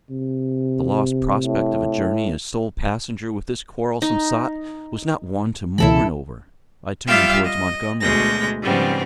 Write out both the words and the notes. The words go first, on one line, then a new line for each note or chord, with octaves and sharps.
The lost prospect of a journey as sole passenger with this quarrelsome sot was not one to mourn over. I turned towards Montgomery.
C3
A2
D#4
C#2 B2 E3 E4 A4 B5
G3 F4 E5 F5 G5 E6
D#5
D2 B2 G#3 G6 A#6
G#2 C#3 F3 G3 B3 C4